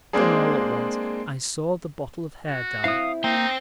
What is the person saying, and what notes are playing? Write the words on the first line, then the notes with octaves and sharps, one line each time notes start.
Then all at once I saw the bottle of hair dye.
G#3 A#3 C4 D4 G#4
F#4
C4 E4 F5 D#6
A#3 D#4 C5 G5